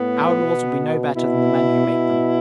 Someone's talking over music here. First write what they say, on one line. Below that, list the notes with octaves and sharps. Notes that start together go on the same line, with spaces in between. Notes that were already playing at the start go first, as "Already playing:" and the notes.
Our laws will be no better than the men who make them.
Already playing: A2 B3
B2
B2 E4
B2